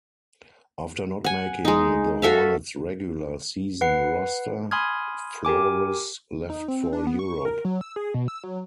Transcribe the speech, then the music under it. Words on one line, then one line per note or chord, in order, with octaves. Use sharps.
After not making the Hornets regular season roster, Flores left for Europe.
F#5 G#5
G#3 D#4
F#4 A4 E5 F5
B4 F#5 C7
G#5 B5 C6 D#6 F6 G#6
G4 A#4 G#5 D6
D#4
C4
D4
B3
C#6
A#4
F#3
E6
G#4
B2
E6
F#3